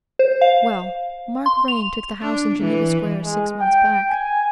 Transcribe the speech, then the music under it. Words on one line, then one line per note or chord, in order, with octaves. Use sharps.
Well, Mark Vrain took the house in Geneva Square six months back.
C5
F5
C6
F7
D4
E3
G#3
G5
G#5